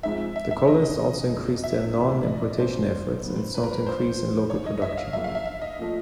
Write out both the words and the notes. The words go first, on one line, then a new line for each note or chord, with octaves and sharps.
The colonists also increased their non-importation efforts, and sought to increase in local production.
G#2 F3 G#3 C4 D#4 E5
E5
E5
F2 C3 E3 A3 D4 D#5
D#5
D#5
F1 F2 C#3 F3
E5
E1 D2 C3 E3 G#3
D5
D#5
D5
C2 B2 G3 A#3 C#4 C5
D#2 D#3 F#3 B3
B4
A#4
B4
A#1 A#2 F3 C5
A#1 G#2 D#3 C#5
D#5
E5
F5
G1 F2 C#3 F#3 A#3 E5
F5
E5
E5
D#5
A#2 F3 A3